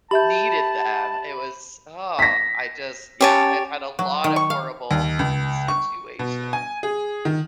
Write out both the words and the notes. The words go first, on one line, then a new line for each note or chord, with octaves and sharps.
needed them, it was, oh, I just yeah, I've had a lot of horrible situations.
G4 E5 A5 B5 G6
A#6 B6
C#4 G4 C#5 G#5 A5
F#3
D#3
C#6
F5
D#2
C#2
C#6
B2
G#5
G#4
D#3